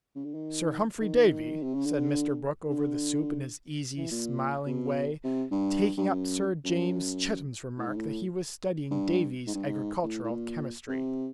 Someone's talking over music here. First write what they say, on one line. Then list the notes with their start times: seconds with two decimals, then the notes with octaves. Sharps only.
"Sir Humphry Davy?" said Mr. Brooke, over the soup, in his easy smiling way, taking up Sir James Chettam's remark that he was studying Davy's Agricultural Chemistry.
0.16 C#3
0.25 D3
0.35 D#3
1.01 D#3
1.63 C3
1.74 C#3
1.85 D3
2.70 D3
3.97 E3
4.11 A#2
4.67 B2
5.24 C3
5.51 G2
5.97 G2
6.08 F#2
6.65 F#2
7.78 A2
7.87 G#2
7.96 A2
8.91 G2
9.47 G#2
9.55 G2
9.64 G#2
10.03 A2
10.24 A2
10.31 A#2
10.88 C3